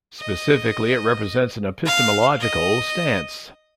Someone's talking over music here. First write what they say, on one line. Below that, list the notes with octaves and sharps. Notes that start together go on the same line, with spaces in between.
Specifically, it represents an epistemological stance.
D#5
F5
D#5